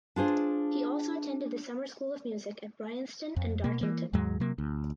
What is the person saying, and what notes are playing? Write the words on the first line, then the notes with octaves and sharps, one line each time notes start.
He also attended the Summer School of Music at Bryanston and Dartington.
D4 F4 G#4 C5
F2
B2 A#3
E3 A#3
D#2 G#2 F#3 G#3
C3 F#3 A#3
D2